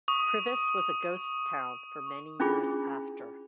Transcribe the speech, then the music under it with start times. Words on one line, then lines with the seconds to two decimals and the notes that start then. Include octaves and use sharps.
Privas was a ghost town for many years after.
0.08 C#6 D#6
2.40 C#4 D4 E4 F4 G#4 B5